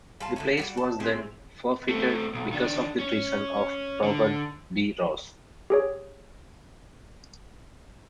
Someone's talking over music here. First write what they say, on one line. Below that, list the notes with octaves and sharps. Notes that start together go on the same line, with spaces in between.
The place was then forfeited because of the treason of Robert De Ros.
G3 F4 A5
D3 A3 C#4
G3 F#4 D5
A5
G#3 C4 E4 G4
A3 C4
B1
D#3 D4
C#4
D3
G4 G#4 C#5